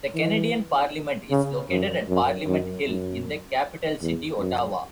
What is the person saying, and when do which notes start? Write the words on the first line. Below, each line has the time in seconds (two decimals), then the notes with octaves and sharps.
The Canadian Parliament is located at Parliament Hill in the capital city, Ottawa.
0.15 E3
1.31 C#3
1.70 F#2
2.08 F#2
2.47 F#2
2.86 F#2
4.02 E2
4.40 F#2